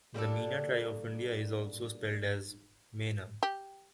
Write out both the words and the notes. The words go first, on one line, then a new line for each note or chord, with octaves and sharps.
The Meena tribe of India is also spelled as Mena.
G3 A#3 D4 A4
G4